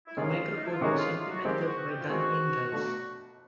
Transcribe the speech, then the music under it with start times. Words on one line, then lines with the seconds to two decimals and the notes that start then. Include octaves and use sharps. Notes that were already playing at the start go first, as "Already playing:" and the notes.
The microcode was implemented by Dan Ingalls.
0.07 E4
0.17 C3 D#3 G#3 C#4 F4
0.55 D#4
0.63 E4
0.72 F4
0.81 C3 D#3 G#3 C#4 F#4
0.96 F4
1.12 F4
1.29 F#4
1.44 D#3 G#3 C4 G4
1.65 F#4
1.87 G4
2.01 F4
2.09 D#3 G#3 C4 F#4
2.72 B2 F#3 A3 D4